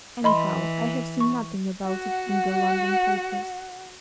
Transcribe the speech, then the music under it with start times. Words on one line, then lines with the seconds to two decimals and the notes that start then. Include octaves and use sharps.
Anyhow, I have seen nothing about it in the London papers.
0.24 E3 D#5 B5 C6
1.20 C#6
1.85 F#4 F#5